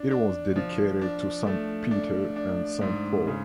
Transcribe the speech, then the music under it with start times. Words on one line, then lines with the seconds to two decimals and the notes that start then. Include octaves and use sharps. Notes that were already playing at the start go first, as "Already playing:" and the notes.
It was dedicated to Saint Peter and Saint Paul.
Already playing: D4
0.11 D4
0.56 F3
1.01 D4
1.46 A3
1.91 D4
2.36 D4
2.81 G#2
3.27 C#3